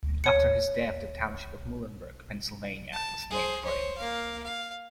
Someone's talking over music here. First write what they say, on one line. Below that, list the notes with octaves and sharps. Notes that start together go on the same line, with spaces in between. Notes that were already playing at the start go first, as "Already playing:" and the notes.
After his death, the Township of Muhlenberg, Pennsylvania, was named for him.
C#5 C#7
A5
G#4 C5
C5 C#5
A#3 F5
F5